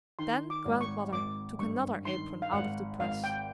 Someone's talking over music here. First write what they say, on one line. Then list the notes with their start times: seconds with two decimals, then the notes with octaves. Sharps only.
Then Grandmother took another apron out of the press.
0.19 D#3 C6
0.50 D6
0.65 G#1
0.81 C#6
1.13 G#1 D6
1.59 G2 C#6
2.05 D#3 C6
2.42 F5
2.52 G#1 F#5
2.99 G#1 F5
3.24 G5